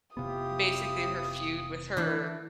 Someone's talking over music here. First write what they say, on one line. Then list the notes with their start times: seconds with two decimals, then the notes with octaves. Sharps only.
basically her feud with her
0.17 F1 C3 B3 E4 F4 G4 D#6
1.97 E3 D4